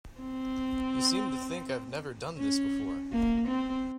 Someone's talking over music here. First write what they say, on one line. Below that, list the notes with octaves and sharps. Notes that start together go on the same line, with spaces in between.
You seem to think I've never done this before.
C4
C#4
A#3
C4